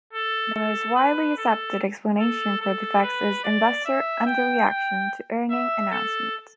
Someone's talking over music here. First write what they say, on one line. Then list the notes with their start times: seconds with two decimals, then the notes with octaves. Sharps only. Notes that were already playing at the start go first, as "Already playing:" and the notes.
The most widely accepted explanation for the effect is investor under-reaction to earnings announcements.
0.13 A4
0.54 A4
0.95 B4
1.37 A4
2.19 A4
2.61 A4
3.03 B4
3.44 D5
3.85 E5
4.26 G5
4.68 G5
5.51 E5
5.91 A4